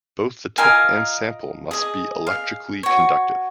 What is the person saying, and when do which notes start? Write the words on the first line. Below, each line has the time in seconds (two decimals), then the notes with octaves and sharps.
Both the tip and sample must be electrically conductive.
0.58 F4 A#4 D#5 F5 G#5
1.71 G#4 D#5
2.27 F5
2.83 F#4 C#5